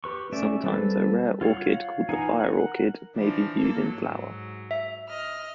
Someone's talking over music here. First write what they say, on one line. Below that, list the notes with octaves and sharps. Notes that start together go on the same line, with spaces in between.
Sometimes a rare orchid called the fire orchid may be viewed in flower.
G4 B4 C#6
A3 C#4 D5 E5
G3 C4 A4 B4
F4 C#5 F5 F#5
E3 D#4 F5 F#5 G#5
A#4 F#5
E3 F3 D4
A#3 A4
G#2 F#3
E5
D#5 F6